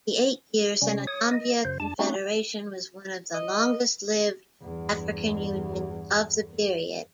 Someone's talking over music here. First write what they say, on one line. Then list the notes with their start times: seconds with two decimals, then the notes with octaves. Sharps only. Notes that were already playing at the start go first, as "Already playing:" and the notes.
The eight-year Senegambia Confederation was one of the longest-lived African unions of the period.
0.82 C3 G3 C#4
1.07 C#5 D#6
1.31 D#5
1.65 F#2 C#3 C5
1.80 F2 D4 A5
1.99 A3 C4 C#4 D#4 F#4
3.34 D#5
4.62 E2 G2